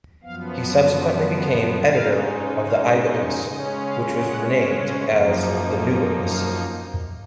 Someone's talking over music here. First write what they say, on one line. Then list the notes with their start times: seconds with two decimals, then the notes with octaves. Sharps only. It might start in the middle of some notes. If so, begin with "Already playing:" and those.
He subsequently became editor of the "Eye-Witness", which was renamed as the "New Witness".
0.23 F#2 F3 B3 F5
1.83 C#3 G#3 D#4 F5
2.64 F5
3.05 D#5
3.44 C#3 G#3 C#4 D#5
3.84 F5
4.25 F#5
4.65 C#5
5.05 F#2 F3 A#3 D#4 A#4
5.45 G#4
5.85 G#4
6.26 F5